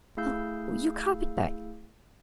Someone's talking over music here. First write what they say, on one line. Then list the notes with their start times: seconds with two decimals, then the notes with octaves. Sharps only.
Oh! your carpet-bag.
0.17 A3 E4 G#4 F5 E6 G6